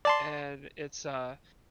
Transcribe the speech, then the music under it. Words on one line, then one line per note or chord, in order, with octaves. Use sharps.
And it's a
D5 A5 C6